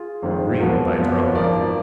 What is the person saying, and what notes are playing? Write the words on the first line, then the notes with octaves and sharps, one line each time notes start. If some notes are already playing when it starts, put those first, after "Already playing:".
Green by Drumleck.
Already playing: F4 G#4
F#1 F2 D#3 G#3
F#1 F2 F3 B3 F#4 A#4
F#1 F2 F3 B3
G#1 G#2 F3 A#4 D5